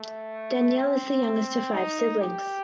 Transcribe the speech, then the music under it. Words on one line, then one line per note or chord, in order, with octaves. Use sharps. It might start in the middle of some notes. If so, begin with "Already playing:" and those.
Danielle is the youngest of five siblings.
Already playing: A3
C4
D#4
G4